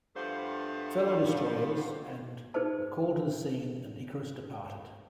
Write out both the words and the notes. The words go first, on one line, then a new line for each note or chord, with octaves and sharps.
Fellow destroyers and were called to the scene, and "Icarus" departed.
G2 F3 A3 B3 C5 F5
D#4 G#4 B4 C5 A5